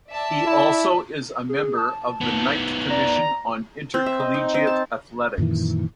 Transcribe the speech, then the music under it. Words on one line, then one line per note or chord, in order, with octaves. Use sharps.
He also is a member of the Knight Commission on Intercollegiate Athletics.
D5 E5 A5
E4
G#4
A5
D#3 B3
D5 A#5
C4
E5
D#5
D#4
C4
A5
F#2 A#2 D#3 E3